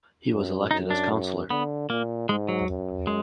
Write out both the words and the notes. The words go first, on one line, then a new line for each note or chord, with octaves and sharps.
He was elected as councilor.
F#2
F#2 D#4
D4
D3 B3
A#2 A#3
G#2 G#3
F#3
F#2
G#3